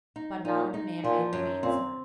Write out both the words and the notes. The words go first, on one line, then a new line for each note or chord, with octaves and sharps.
But now the man made no answer.
D#4
A#2 D#4
D#4
A#2 F3
F#2
A#2 C4